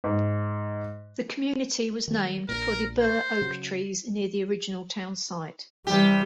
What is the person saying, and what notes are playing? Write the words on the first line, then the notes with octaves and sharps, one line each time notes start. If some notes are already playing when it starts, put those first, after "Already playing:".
The community was named for the burr oak trees near the original town site.
G#2
D#3 F#3 G3
A#1 A#2 A#4
C5
C#3 F#3
C3 E3 G3 G4